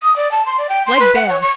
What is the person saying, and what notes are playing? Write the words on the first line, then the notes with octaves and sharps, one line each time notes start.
Leg bail.
D#6
D5
A5
C6
D5
G5
C6
B4
F#5
C#5
C#6